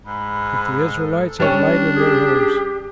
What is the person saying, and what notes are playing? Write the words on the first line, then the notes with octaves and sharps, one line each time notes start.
But the Israelites had light in their homes.
G#2 B5
A4
G3 C#4 D4
G4 G#4